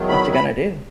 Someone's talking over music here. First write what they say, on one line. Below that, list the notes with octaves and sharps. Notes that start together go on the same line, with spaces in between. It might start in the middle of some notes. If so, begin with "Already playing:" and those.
What you gonna do?
Already playing: E2 D#3 F#3
B5
B5